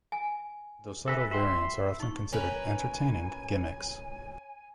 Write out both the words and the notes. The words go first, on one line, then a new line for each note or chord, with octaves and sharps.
Dosado variants are often considered entertaining "gimmicks".
G#5
D4 A4 B4 C5 E5
F#4 E5 G5 B5 C6
D#4 C#6
C#4 A#4 B4 G#5